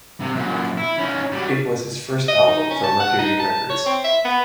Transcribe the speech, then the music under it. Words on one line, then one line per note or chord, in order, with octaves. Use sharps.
It was his first album for Mercury Records.
C3
F#2 A#2
E4
C#4 D#4
F#3 G3
D#5
D#4
C#4
A5
F#5
D#4
A5
C#5
C4
E5
B3